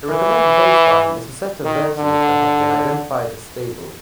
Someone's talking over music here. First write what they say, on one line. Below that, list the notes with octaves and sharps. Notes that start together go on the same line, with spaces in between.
A recommended baseline is a set of versions that have been identified as stable.
E3
D#3
D3